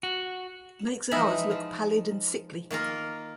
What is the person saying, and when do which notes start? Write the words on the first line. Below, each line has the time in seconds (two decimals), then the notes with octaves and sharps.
It makes ours look pallid and sickly.
0.03 F#4
1.11 E3 F3 G#3 D#4 E5
1.51 F3
2.71 D#3 A#3 F4 A#4